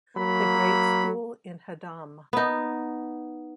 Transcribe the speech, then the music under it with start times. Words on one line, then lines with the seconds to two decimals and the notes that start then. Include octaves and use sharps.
The grade school in Haddam.
0.17 F#3 A#3 B5
2.33 B3 D#4